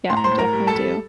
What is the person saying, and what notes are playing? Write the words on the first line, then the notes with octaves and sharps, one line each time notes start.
Yep, I definitely do.
A2 C6
A#5
C5 C6
A2
A#4 A#5
G3
A4 A5
G3